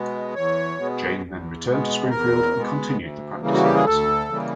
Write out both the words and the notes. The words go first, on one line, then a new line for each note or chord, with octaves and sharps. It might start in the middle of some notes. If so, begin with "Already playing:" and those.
Jayne then returned to Springfield and continued the practice of medicine.
Already playing: B2 G#3 B3
E2 C#5
B2 G#3 B3
E2
B2 G#3 B3
E2 A#4
B2 G#3 B3
D2
C#3 E3 G3 A#3
F#4
G4
G#4
D2 A4
C#3 E3 G3 A#3